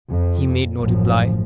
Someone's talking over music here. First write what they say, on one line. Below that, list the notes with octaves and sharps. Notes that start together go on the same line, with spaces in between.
He made no reply.
F2
A1 F#2 B2 F3